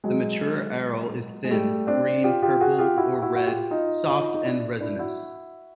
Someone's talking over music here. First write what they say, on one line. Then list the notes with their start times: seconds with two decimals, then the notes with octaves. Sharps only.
The mature aril is thin, green, purple or red, soft and resinous.
0.04 F#3 G#3
1.44 G#3
1.51 G3 A3
1.87 C4 D4
2.24 F4 G4
2.42 F4 G4
2.61 F#4 G#4
2.79 F4 G4
2.97 E4 F#4
3.13 G4
3.22 E4 F#4
3.35 F#4
3.46 F4 G4
3.71 D#4 F4
4.07 D#4 F4
4.34 D#4
4.45 D4 E4
4.81 D4 E4
4.99 E4 F#4